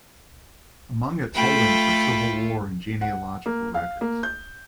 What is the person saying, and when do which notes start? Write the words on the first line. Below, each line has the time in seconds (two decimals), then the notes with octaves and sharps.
Among its holdings are Civil War and genealogical records.
1.35 A3 F4 A4 G5 B5
3.01 F#5
3.46 A#3
3.74 F5
4.01 A#3
4.23 G6